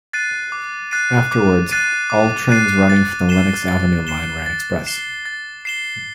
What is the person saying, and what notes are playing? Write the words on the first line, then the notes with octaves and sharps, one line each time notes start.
Afterwards, all trains running from the Lenox Avenue Line ran express.
F#6 A6 C7 D#7
D6
F#6 A6 C7 D#7
D6
F#6 A6 C7 D#7
D6
F#6 A6 C7 D#7
A6
C7 E7 G7
A6
C7 E7 G7
A6
C7 E7 G7
A6
C7 E7 G7